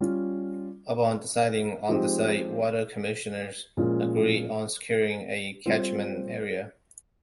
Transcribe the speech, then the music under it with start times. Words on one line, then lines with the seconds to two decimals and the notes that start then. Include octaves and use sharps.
Upon deciding on the site, water commissioners agreed on securing a catchment area.
0.01 G3 C#4 F4
1.89 F3 G#3 C4 D#4 G4
3.77 A#2 F3 G#3 C#4
5.66 G3 C4 F4